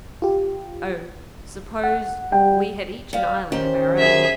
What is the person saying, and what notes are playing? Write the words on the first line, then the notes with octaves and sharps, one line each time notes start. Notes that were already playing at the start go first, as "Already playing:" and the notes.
Oh! suppose we had each an island of our own.'
F4 G4
F#5
G3 G5
G3 F5
D#3 C#4 G4 C5
F#2 G#4 E5